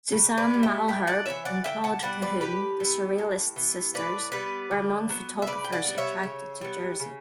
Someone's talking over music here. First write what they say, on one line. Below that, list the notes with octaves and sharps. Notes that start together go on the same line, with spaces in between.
Suzanne Malherbe and Claude Cahun, the "Surrealist Sisters" were among photographers attracted to Jersey.
C#3
B4 D5
G3 B3
E5 G5
A2 E5 G5
D5 F#5
E3 B3 C#5 E5
D5 F#5
D3 E5 G5
F#5 A5
G3 B3 D5 F#5
B4 D5
A2 G4 B4
E3 B3
A2
E3 B3
A2 B4 D5
G3 B3 B4 D5
D3
F#3 B3
E5
C#3 B4 D5
G5
D5 F#5
G3 B3
C#5 E5
C#3
G3 B3
C#3